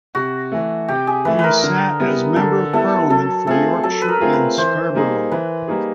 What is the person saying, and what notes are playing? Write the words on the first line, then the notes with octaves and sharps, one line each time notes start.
He sat as Member of Parliament for Yorkshire and Scarborough.
C3 F#4
E3 A3
C3 G4
G#4
E3 A3 B4
B4
A#4
D3
G3 B3 E4
D3 A4
G3 B3 E4 A4
F#3 A4
A3 C4 F4 G#4 A4
F#3 A4
B4
A#4
A3 C4 F4 G#4
B4
E3 C5
G3 A#3 D#4 G#4
E3 B4
G3 A#3 D#4 G#4